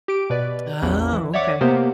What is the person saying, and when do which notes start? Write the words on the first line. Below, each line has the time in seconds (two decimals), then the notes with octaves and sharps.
Oh, okay.
0.08 G4 D7
0.30 B2 B4 D5
0.82 A1 E2
1.13 E3
1.33 C#5 D5 E5 F#5 D6 G#6
1.61 C3 A#3 B3 G4 A#4 C5